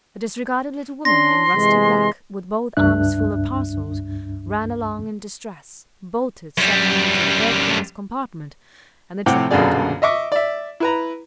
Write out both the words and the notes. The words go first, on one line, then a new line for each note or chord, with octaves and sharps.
A disregarded little woman in rusty black, with both arms full of parcels, ran along in distress, bolted suddenly into a third-class compartment and the train went on.
C#4 D4 C6 A#6
C3 E3 G#3
C#2 G2 D4 E5 F#6
F#2 G3
A2 C3 F#5 G5 D6
A#1 F#2 B2 D3 G#4 D5
D#5 E5 C#6 D6
D5 E5
E4 B4 A#5